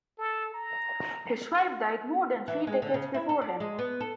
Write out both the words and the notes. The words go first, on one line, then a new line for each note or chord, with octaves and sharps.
His wife died more than three decades before him.
A4
A#5
E3
G#3
D3
C#3
E4
A4
D5
G#3
B3
A4